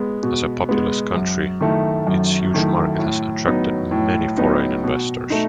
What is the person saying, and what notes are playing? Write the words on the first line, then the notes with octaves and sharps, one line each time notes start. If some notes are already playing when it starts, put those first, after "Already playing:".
As a populous country, its huge market has attracted many foreign investors.
Already playing: G#3 B3
B2
G#3 B3
F#2
D#3 A3 E4
F#2
D#3 A3 E4
A2
F#3 B3 D#4
A2
F#3 B3 D#4
B2
A3 D#4